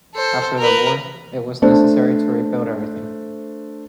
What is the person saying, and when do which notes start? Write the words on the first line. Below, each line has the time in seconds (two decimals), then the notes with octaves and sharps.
After the war, it was necessary to rebuild everything.
0.14 A4 C5
0.59 A#4 B4
1.62 A3 D4 C5